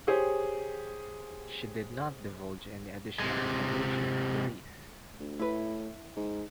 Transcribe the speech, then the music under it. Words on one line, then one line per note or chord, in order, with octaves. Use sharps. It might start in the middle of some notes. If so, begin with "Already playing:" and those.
She did not divulge any additional information to police.
G4 G#4 C5 C#5
C3 G#3
D2
A2 E4 B4
G#2